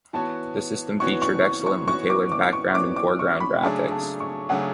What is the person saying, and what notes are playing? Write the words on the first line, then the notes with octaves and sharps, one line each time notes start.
The system featured excellently tailored background and foreground graphics.
E3 B3 F#4 C#5 A5
E3 B3 F#4 C#5 C#6
C#6
C#6
E3 B3 F#4 C#5 C#6
D6
D6
C#6
E3 B3 F#4 C#5 D6
D6
C#6
B5
C#3 F#3 A3 D4 G#4 A5
A5
C#6
C#3 F#3 A3 D4 G#4 F#5